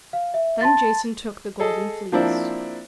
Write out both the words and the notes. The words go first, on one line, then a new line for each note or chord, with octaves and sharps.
Then Jason took the Golden Fleece.
F5
E5
A5 C6 A6
G#4 A4 D#5
F3 A#3 C4 D4 E4